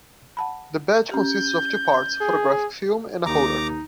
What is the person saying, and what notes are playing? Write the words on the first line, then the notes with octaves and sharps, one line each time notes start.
The badge consists of two parts: photographic film, and a holder.
F#5 A5 B5
C#4 G4 G6
G#4
D#2 D#4 A#5 D6